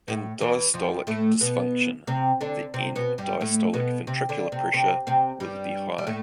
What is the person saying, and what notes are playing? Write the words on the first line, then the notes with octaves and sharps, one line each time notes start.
In diastolic dysfunction, the end-diastolic ventricular pressure will be high.
A2
E2 E3
F2 F3
A2 A3
B2 B3
C3 C4
D3 D4
C3 C4
B2 B3
G2 G3
A2 A3
B2 B3
C3 C4
D3 D4
C3 C4
C3 C4
C3 C4
G2 G3
G3
A2 A3